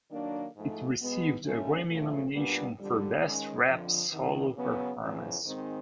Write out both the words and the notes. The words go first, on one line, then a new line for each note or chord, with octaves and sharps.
It received a Grammy nomination for Best Rap Solo Performance.
D#3 F#3 A#3 D4
G#2 F3 A3
B2 G#3 B3
D#2 D3 F#3 A3 C#4
E2 C#3 F3 A3
A#2 G3 B3 D4
F2 D3 G3
D#3 G#3 C#4
F2 D3 F3
E2 C3 D#3
C#3 F#3 B3
E2 C#3 F3
G#2 D#3 G#3 C4